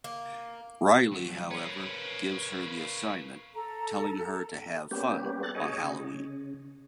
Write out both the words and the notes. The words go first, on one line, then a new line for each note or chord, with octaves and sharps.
Riley, however, gives her the assignment, telling her to have fun on Halloween.
A#3
F#3 A3
A#4 B4 C#5 F5
A4 A#5
G3 A#3 B3 C#4 G4
G4 A4 F#6 A6
G#4 C#5 D#5
C#3